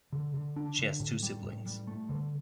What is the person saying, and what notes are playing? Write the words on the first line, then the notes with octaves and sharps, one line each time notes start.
She has two siblings.
D3
D3
D4
D3
A2
G3
A2
G3
A3
D3